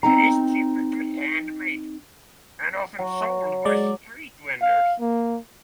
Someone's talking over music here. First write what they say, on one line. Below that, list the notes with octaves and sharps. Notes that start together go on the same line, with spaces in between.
It is typically hand-made, and often sold by street vendors.
C4 D#4 A#5
F#3
G#3 D5
F5
A#3